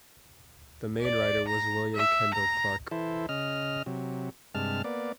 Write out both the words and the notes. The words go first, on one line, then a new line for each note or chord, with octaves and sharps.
The main writer was William Kendall Clarke.
D5
A#5
E5
A#5
E3 E4 A4 C5
C#3 D#5 F6
C3 F#3
G2 C3 G#3 A5 F6
A#3 B3 D5